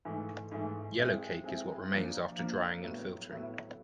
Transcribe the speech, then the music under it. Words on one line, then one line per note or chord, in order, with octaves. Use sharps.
Yellowcake is what remains after drying and filtering.
G#2 E3 A3
G#2 E3 A3
G#3 C4 E4
G#3 C4 E4
F3 A#3 D4
F3 A#3 D4
A2 F#3 B3 E4
A2 F#3 B3 E4